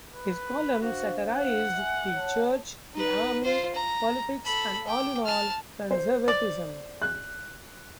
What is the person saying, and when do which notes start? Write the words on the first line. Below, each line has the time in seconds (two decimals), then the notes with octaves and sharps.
His columns satirized the church, the army, politics and, all in all, conservatism.
0.15 B4
0.81 D4 F#4 C5 F5
1.27 F#5
1.74 E5 G#5
2.13 C#5 A5
2.94 D#4 B4
3.43 F4 C5
3.75 A#5
4.45 A4 B5
4.87 G5 D6
5.26 A5 F6
5.91 C5
6.28 D5
7.02 F#6